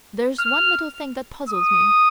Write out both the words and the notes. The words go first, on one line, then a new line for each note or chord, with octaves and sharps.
But there's one little thing that puzzles me.
F6
D#6